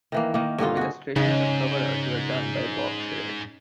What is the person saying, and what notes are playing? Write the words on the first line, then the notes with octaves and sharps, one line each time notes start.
The illustrations and cover art were done by Bob Charrette.
D#3 E3 A#3
D#3 A#3
G2 D3 D#4 F4
F#4 G#4
G#2 C#3 C#4 D#4